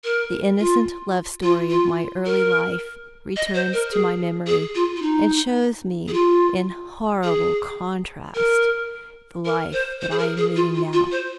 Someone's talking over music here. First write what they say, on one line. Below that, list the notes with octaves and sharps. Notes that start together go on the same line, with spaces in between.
The innocent love-story of my early life returns to my memory, and shows me in horrible contrast the life that I am leading now.
A#4
F4
F4
F4
A#4
D#5
C5
A#4
G#4
G#4
F4
F4
D#4
G#4
F4
G#4
A#4
A#4
C5
C5
G#4
A#4
G#4
F4
F4
F4
C5